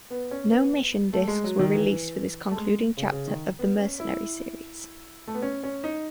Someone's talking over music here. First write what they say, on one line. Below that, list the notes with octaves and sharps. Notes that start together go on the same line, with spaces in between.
No mission disks were released for this concluding chapter of the "Mercenary" series.
B3
C#4
B3
A3
G#3
F#3
D#3
E3
A3
G#3
C#3
C#3
D#3
B3
C#4
E4
A3
B3
C#4
C#4
D#4